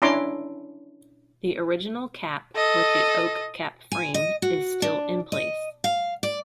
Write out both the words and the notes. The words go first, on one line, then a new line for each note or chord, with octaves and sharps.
The original cap with the oak cap frame is still in place.
C#4 D4 E4 A#5 C6 D6
A4 D#5
G#5
D#5
F#4
D4
D#5
F5
D5